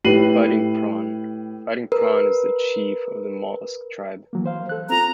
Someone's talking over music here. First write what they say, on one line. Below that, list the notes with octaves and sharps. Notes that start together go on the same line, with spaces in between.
Fighting Prawn - Fighting Prawn is the chief of the Mollusk Tribe.
A2 G4 B4 C7 D#7 F#7
A#4 B4
E3 F#3 A#3
C5 F5
A4 F#6
C4 F4 A#5